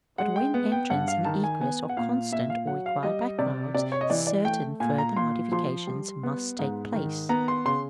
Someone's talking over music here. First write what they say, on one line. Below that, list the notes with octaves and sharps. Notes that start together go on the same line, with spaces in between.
But when entrance and egress are constant, or required by crowds, certain further modifications must take place.
G#3 F#5
G5
B3
G5
G2 F#5
F5
D#3 A5
G#5
B3 G#5
F#5
A#2 F5
A#2 E5
F5
F#3 F#5
F5
G3 D#5
C3 D5
C3 D5
C#5
D#5
E3 D5
D5
A3 G5
A#2 G#5
A#5
A#2 C6
F3 C6
G3
B3
G#2
D#3
B3 A#5
C6
C#3 C6